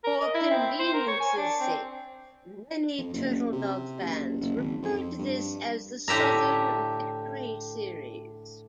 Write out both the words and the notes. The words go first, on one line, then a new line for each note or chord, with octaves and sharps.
For convenience's sake, many Turtledove fans refer to this as the Southern Victory series.
A#4
D#5
E4
C4
C5
A#4
C#5
G#5
D4
C4
F2
F#1
C3
F#1
F#1
G#1
F2
G2
A2 D3 G4 E5 A#5